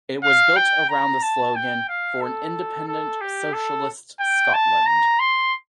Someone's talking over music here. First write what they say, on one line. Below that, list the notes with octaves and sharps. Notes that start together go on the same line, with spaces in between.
It was built around the slogan "for an independent socialist Scotland".
F5
G5
A#5
A5
G5
F5
A4
A4
G4
A4
G5
A5
A#5
C6